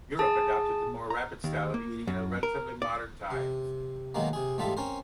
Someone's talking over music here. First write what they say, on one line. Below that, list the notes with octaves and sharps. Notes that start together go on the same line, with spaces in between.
Europe adopted the more rapid style of eating in relatively modern times.
G#4 A5
A#5
D#2
A#3
F#2
A#4
D5
C3
B2 D#3 F#3 G#3 A#3
C3 G#4
A1 G#2 G3 F4 A4 E5
C4 C#4 A#4 C5